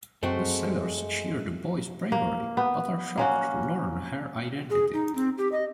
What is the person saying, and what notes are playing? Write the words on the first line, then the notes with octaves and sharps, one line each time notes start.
The sailors cheer the boy's bravery, but are shocked to learn her identity.
F#2 G#3 A3 C4 F#4
A#3
B3
A#3 C#4 F#4
G#4
D#4
C4
G4
D#5